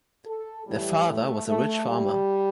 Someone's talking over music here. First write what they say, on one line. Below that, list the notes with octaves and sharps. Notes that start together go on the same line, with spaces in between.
Their father was a rich farmer.
A4
A2 E3 G3
A3
A3
G3